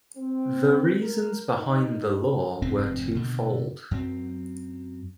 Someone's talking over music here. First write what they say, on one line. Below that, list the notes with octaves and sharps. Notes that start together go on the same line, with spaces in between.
The reasons behind the law were twofold.
C4
A#4
D#4
F1 F2 G#2 C4
B2 D3
F#2 F#3 C4